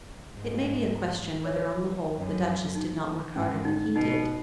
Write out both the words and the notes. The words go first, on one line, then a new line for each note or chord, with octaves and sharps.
It may be a question whether on the whole the Duchess did not work harder than he did.
G#2
C#5
B4
F#2
D#4
G#2 C#4
D#4
B2 D#4